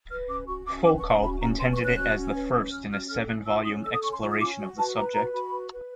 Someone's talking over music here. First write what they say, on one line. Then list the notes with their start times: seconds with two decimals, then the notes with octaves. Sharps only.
Foucault intended it as the first in a seven-volume exploration of the subject.
0.10 B4 F6
0.28 C#4 D6
0.47 F#4 C#6
0.66 C#4 D6
0.84 B4 D6
0.98 C#6
1.03 C#4
1.10 C6
1.22 F#4 B5
1.41 C#4 A#5
1.59 B4 C6
1.73 C#6
1.78 C#4
1.84 F#6
1.96 F#4
2.16 C#4
2.34 B4
2.54 C#4
2.71 F#4 F6
2.91 C#4 F6
3.09 A4 F6
3.28 C#4 F#6
3.46 F4 E6
3.65 C#4 D#6
3.84 A4 E6
3.93 D#6
4.02 C#4 C#6
4.12 C6
4.21 F4 C#6
4.30 D#6
4.40 C#4 D6
4.58 F#4
4.78 B4 A5
4.96 B4 A#5
5.14 F#4 A#5
5.33 F#4 B5
5.52 B4
5.71 B4